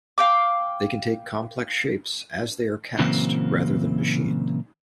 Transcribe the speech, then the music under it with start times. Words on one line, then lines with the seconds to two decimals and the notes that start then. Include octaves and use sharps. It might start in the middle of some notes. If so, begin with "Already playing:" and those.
They can take complex shapes, as they are cast, rather than machined.
0.18 F5 G5 D6
2.99 A#2 C#3 E3 F#3 A#3 C4